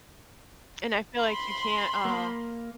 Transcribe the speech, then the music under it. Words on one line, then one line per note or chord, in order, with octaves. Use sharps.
And I feel like you can't, uh
B5 C6
A#3